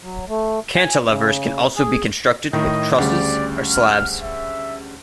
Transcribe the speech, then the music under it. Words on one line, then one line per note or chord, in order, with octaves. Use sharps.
Cantilevers can also be constructed with trusses or slabs.
F#3
A3
G#5
C#3
G#4
A2 D#3 D#5
D2 C#3 G3 D5
F6
E5